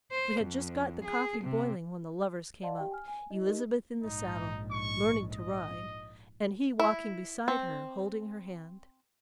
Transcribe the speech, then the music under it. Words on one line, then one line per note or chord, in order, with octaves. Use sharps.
We had just got the coffee boiling when the lovers came up, Elizabeth in the saddle, "learning to ride," and he walking beside her holding her hand.
C5
F2
G#4
C3
D5 D#5 F5 F#5 A5 C6
G4 G5
G#5 F6
G#5
E4 D#5
D#4 G4 A#4 D#5
A#1 G#2 D#4
C#6
D#5
E4
C4